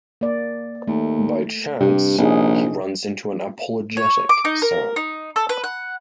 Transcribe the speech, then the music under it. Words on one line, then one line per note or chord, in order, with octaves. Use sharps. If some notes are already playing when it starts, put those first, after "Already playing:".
By chance, he runs into an apologetic Sam.
A#3 D5
D#2 A3
G2 C3 G4
A#1 C#4 D#4 G#4
C#5
D6
D#4
A#4
D#4
A4
B4
F#5